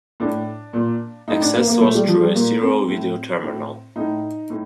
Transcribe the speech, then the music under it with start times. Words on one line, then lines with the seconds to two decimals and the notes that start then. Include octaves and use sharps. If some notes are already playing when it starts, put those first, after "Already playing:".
Access was through a serial video terminal.
0.20 A2 D4
0.73 A#2
1.28 A2 D#4
1.41 D4
1.54 A#3
1.67 A#3
1.80 A#2 A3
1.95 G3
2.08 F3
2.21 G3
2.34 A#2 A#3
2.61 C4
2.88 A2
3.42 A2
3.96 A2 D#4
4.50 A2